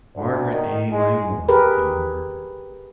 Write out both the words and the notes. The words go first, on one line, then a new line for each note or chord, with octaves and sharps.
"Margaret A. Langmore," he murmured.
D2
D#3
G#3
G4 G#4 A#4 B4